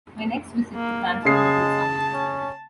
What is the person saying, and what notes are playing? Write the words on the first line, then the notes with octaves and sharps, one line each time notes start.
My next visit to Cranford was in the summer.
A#3
C#3 G#3 A5 C7
C#4